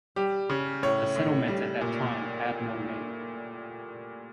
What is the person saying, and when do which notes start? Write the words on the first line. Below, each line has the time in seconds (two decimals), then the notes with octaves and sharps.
The settlement at that time had no name.
0.16 G3 G4
0.50 C#3
0.83 A2 C#5
1.16 A2
1.48 G3
1.81 A#2